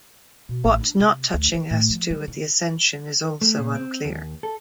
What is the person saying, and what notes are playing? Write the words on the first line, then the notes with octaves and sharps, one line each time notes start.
What not touching has to do with the ascension is also unclear.
B2
A1
D4
C3
D2
E3
A2
F3
G3
C#3
A3
A#2
C4
D#2
A4